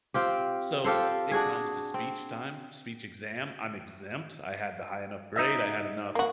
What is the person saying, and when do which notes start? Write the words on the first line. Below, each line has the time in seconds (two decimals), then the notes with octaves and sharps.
So it comes to speech time, speech exam, I'm exempt, I had the high enough grade, I had enough
0.14 C4 F4 G4
0.84 F4 G4 A4 C5
1.31 D4 F#4 G#4
1.94 C4
5.36 D#4 D#5 E5
6.15 A#3 F#4